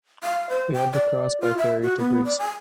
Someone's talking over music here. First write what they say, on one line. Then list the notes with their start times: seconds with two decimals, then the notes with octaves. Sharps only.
We had to cross by ferry to Greece.
0.23 F5
0.49 C5
0.73 G5
0.93 D5
1.41 F4
1.57 E5
1.82 F#4
1.99 B3
2.25 D5
2.39 G#5